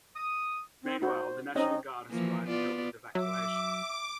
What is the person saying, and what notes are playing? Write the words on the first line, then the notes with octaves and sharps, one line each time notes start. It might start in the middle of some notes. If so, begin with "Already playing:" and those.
Meanwhile, the National Guard has arrived and helped with evacuation.
D#6
C4
D#4 F#4 C5
C4 C#4 D#4 D#5
E3 F3 A#3
B3 F4 D5
F#3 E5 D6